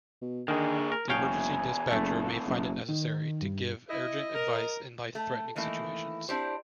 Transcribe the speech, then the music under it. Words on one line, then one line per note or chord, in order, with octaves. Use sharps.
The emergency dispatcher may find it necessary to give urgent advice in life-threatening situations.
B2
D3 D#3 A#3 G#4
A#4
F#1 E2 B2 C#5 F5 G5 G#5
F#1 A3
F#1
D#3
G2
E4 D#5
A#4
A3
D#3 E3 A3 A#3 E4
C4 D4 E4 G4 C5